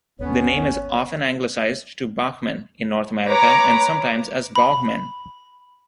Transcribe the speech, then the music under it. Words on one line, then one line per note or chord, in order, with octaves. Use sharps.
The name is often anglicized to "Bachman" in North America, and sometimes as "Baughman".
G#1 D#2 D3 B3 C#4 C#5
B4 C#5 A#5 D6
B5